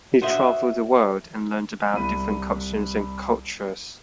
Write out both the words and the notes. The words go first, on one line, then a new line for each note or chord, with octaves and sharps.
He traveled the world and learned about different customs and cultures.
F#4 C5 D#5 E5
C2 B5 D#7